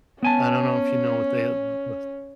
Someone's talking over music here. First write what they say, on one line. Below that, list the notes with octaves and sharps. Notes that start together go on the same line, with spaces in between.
I don't know if you know what they, uh, v v
B3 C#4 G#5 A5